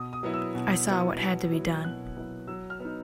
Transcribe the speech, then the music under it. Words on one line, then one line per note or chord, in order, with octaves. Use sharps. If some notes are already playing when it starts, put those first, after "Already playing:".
I saw what had to be done.
Already playing: B2 D#6
D#6
F#3 B3 E4
E6
B2
F#3 B3 E4
B2
F#3 B3 E4
B2 F#6
F#3 B3 E4
F#3 E6
F6
B3
D#4